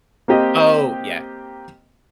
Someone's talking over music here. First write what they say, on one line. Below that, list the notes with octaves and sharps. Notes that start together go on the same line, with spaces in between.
Oh, yeah.
A#3 C4 G4 D#5